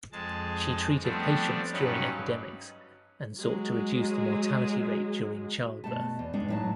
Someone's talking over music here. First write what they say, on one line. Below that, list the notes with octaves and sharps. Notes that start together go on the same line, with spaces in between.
She treated patients during epidemics and sought to reduce the mortality rate during childbirth.
F2 G#3 A5
F3 G3 A3 B3 C4 D4
G2 F#3 G3 C#4 D#4 B4
F#3 G#3
B2 A3 A5
E2
G#3 D4 D#4
A2 F#3 A5